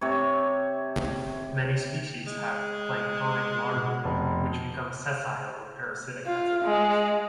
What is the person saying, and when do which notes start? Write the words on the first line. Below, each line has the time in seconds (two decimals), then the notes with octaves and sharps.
Many species have planktonic larvae which become sessile or parasitic as adults.
0.01 C3 C#5
2.27 G#3
3.76 B2
4.04 F1
6.26 F4
6.64 G#3